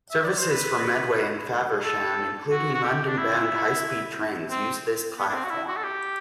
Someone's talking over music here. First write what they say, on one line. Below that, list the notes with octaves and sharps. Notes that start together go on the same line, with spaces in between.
Services from Medway and Faversham, including London bound high speed trains use this platform.
E5
D5
C5
B4
A4
F#4
F#4
G4
D4
E4
C4
B3
D4
C4
F#4
E4
F#4
A4
G4